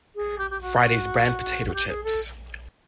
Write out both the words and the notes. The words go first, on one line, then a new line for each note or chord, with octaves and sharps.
Friday's brand potato chips.
G#4
G4
G4
F#4
F#4
G4
G#4
A4